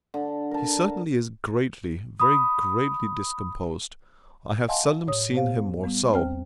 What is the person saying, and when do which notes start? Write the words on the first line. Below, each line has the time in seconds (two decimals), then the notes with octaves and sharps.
He certainly is greatly, very greatly discomposed; I have seldom seen him more so.
0.14 D3
0.51 A#4 A5
2.20 B5 D#6
4.69 D#5 F5 F#5 G#5 A5 C6
5.07 A2 C#5 D#6
5.34 B3 G4 C5 F5
5.84 G3 B3
6.13 E2 C4 C5 G5 F6